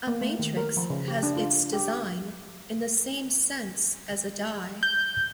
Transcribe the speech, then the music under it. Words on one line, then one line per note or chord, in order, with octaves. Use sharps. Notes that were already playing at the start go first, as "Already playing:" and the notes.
A matrix has its design in the same sense as a die.
A#3
A3
D#3
A#4
F3
C#3
G4
D4
F4
G4
G6